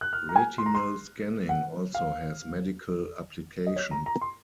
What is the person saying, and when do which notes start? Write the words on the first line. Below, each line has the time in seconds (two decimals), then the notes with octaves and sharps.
Retinal scanning also has medical application.
0.01 F#6
0.13 F6
0.29 A#5
0.36 G#5
0.58 C6
0.66 A#5
0.75 C6
1.49 F#5
1.95 F5
3.67 D#5
3.76 C#5
3.91 A#5
4.06 A#5
4.21 C6